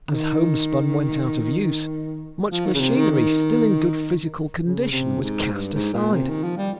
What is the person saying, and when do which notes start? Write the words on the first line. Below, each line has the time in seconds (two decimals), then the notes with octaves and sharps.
As homespun went out of use, much machinery still in good physical condition was cast aside.
0.09 D#3
2.51 F3
2.66 D#3
2.75 C#3
2.80 C3
2.96 D#3
3.11 D#3
4.62 C#3
4.92 C3
5.22 G#2
5.52 G2
5.73 G#2
5.93 A#2
6.13 C3
6.29 D#3
6.43 F3
6.58 G3